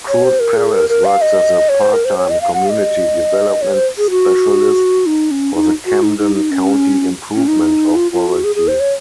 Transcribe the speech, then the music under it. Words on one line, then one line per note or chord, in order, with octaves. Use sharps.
Cruz-Perez works as a part-time community development specialist for the Camden County Improvement Authority.
C#5
C5
A#4
G#4
A#4
A#4
F5
D#5
C#5
C5
A#4
C5
C#5
D#5
F5
F#5
F5
D#5
C#5
C5
G#4
F#4
D#4
C#4
D#4
F#4
D#4
D#4
D#4
C#4
C#4
D#4
F4
F4
F#4
G#4
G#4
C5
C#5